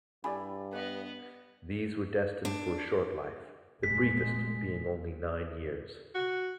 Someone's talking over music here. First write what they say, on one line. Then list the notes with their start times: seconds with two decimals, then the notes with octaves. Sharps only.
These were destined for a short life, the briefest being only nine years.
0.24 G2 E4 G4 D5 G#5 B5
0.73 B3 B4 D#5
2.45 D4
3.83 F1 A#2 G#3 B6
6.15 F#4